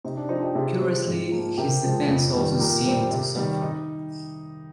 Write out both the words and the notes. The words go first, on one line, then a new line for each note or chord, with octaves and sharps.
Curiously, his defense also seemed to suffer.
C3 D#4
D4
F3 C4 D#4
D#4 G4
C3 F4 G#4
G3 C4
G#2
F3 A#3
C3 G4 A#4
F3 G#3
F2
D#3 G3
A#2 G4 A#4
G3 C4
C3
D#3 G3
D#4